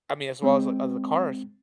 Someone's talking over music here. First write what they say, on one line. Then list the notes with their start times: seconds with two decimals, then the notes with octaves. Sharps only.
I mean, as well as the as the cars
0.42 G#3 C4